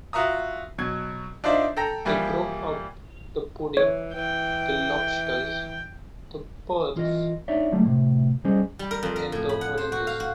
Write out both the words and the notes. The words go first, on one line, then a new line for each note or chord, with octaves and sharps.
They broke up the pudding, the lobsters, the pears, and the oranges.
F4 F#4 E5 A#5 D#6
B2 F#3 G#6
D4 D#4 F4 C5 D5 E5
A4 G5 A#5 A#6
E3 F3 G3 A#3 E4
E3 C#5
E3 G5
E3 F4 A#4 D#5
D4 D#4 C#5 D5 E5
D3 F#3 G3 A3 A#3
A2 C3
G3 C#4 G#4 C5 D#5
G3
A#4
F2
A#4
A2
B5
F#5
C5
F#4
F5
F#4